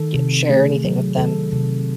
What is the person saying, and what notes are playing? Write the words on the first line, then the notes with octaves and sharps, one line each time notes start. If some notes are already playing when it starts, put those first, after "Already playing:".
ge share anything with them-
Already playing: D#3 A4
C3
A3 G#4
F#3
D#3 A4
C3